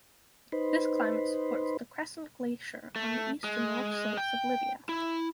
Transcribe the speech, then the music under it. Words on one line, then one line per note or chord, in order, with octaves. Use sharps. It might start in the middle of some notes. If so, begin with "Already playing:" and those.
This climate supports the Crescent Glacier on the east and north slopes of Lydia.
D#4 B4 C5
A3
G#3
G5
E4